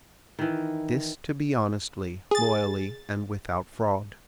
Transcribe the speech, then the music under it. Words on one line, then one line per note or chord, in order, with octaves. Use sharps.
This to be honestly, loyally, and without fraud.
D#3 E3
G#4 A6